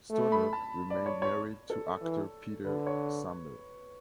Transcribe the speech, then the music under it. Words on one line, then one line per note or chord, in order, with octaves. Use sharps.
Stoner remained married to actor Peter Sumner.
A3
B5
A5
D5
C#5
C#5
A4
E3
D3 B4
C#5